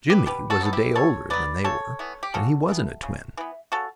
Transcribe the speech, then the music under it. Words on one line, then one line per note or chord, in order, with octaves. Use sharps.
Jimmie was a day older than they were, and he wasn't a twin.
G4 B4
B2 G4 B4
F#4 A4
F#3 B3 A4
E4 G4
B2 A4 C#5
F#3 B3 B4 D5
C#3 A4 C#5
E3 B3
G4
C#3 F#4 A4
E3 B3
C#3
E3 B3
C#3 F#4 A4